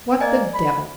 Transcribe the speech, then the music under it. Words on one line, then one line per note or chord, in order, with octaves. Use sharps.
What the devil!
A#3 D5 D#5 G#5
B5